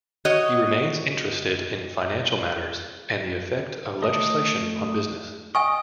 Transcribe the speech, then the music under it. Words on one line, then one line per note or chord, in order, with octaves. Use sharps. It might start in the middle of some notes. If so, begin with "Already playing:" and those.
He remains interested in financial matters and the effect of legislation on business.
F#4 C#5 D#5
A3 D#5
D#5 G5 G#5 C#6